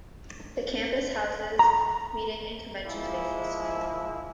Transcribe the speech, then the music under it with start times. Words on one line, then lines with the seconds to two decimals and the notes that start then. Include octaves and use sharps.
The campus houses meeting and convention spaces.
1.59 A#5
2.86 F3 G#3 A#3 E4